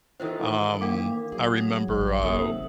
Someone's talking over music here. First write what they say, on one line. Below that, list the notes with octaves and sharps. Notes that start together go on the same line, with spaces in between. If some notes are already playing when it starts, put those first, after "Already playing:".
Um, I remember, uh,
D#3 E3 F4 A4 A#4 C5
A#3 D4 F5 D6
E3 F#3 G#4
A1
C3 D#3 A#3 B3 A4 E5 F#5 D#6